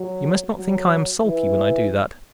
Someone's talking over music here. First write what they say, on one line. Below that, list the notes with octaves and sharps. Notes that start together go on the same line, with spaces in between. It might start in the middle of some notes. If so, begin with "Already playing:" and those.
You must not think I am sulky when I do that.
Already playing: F#3
F#3
E3